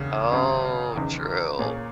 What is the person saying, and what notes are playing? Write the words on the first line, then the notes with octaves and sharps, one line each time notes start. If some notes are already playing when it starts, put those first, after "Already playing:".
Oh, true.
Already playing: E1 D#2 C#3
G#1 F#2 C#3
F#1 E2 D#3
A#2 A#3 C#4 G#4